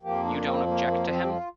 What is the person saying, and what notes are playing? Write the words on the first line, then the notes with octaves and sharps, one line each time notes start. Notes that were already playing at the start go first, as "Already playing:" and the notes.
You don't object to him?
F2 F3 A#3 G4
D4
C4
A#3
A#3
C4
G4
F4